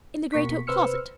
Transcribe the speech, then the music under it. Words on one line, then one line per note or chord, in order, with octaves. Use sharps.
"In the great oak closet."
B2 A#3 C#6 B6
C3 B4 C5 E6 F6 C#7